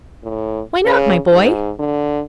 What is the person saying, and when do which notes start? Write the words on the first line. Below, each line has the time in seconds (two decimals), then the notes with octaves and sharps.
"Why not, my boy?"
0.24 A2
0.85 C#3
1.32 G#2
1.79 D3